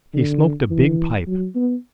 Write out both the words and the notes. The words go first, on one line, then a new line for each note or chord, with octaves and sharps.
He smoked a big pipe.
D3
E3
F#3
B3